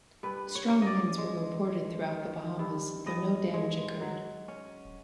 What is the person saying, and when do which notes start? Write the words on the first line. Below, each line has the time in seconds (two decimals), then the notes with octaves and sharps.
Strong winds were reported throughout the Bahamas, though no damage occurred.
0.23 G2 B4
0.55 C#5
0.70 C#4
0.82 D5 D#5
1.18 G#3
1.65 G#3
2.12 D#3
2.59 G2
3.06 G2 D#5
3.54 G#3
4.01 F#3
4.48 C#4